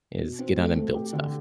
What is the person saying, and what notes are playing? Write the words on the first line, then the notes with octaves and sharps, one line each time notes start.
is get on and build stuff,
B2
C4
A3
A3
G4
D3